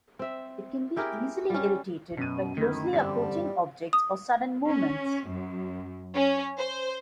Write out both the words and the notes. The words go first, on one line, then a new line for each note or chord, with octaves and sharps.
It can be easily irritated by closely approaching objects or sudden movements.
C4 E5
E4 G4 G#4 A#4
G3 C#4
F#2 B2 D#7
D2 D#3 E4
E2 G2 D3 G3 C4
D#6
C#4
F#2
C#4
C5